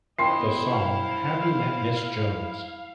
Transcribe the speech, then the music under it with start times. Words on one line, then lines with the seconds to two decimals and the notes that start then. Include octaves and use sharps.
The song Have You Met Miss Jones?
0.19 B3 E4 C5 D#5 G5 C6 C7
0.71 F5